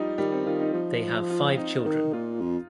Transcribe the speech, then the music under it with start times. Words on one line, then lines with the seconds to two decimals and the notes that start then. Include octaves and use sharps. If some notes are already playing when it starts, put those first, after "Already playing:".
They have five children.
Already playing: F3 G3 D#4
0.18 D#3 G3
0.32 C4
0.46 D#3 F4
0.60 D#4
0.74 F3
1.30 F4
1.52 C4
1.57 D#4
1.85 D#3 D#4
2.13 A#2 F4
2.41 F2